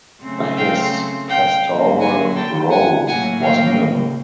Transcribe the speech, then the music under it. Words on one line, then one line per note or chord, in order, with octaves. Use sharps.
His pastoral role was minimal.
C#3 F#3 A3 C4
F5 G5
F5 G5
D3 F#3 A#3
F#5 G#5
G5 A5
F#5 G#5
A2 F#3 A#3 F#5 G#5
F5 G5